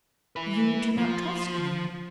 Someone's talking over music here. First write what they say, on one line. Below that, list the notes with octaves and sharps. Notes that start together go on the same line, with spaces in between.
"You do not trust me?"
E4 B4
F3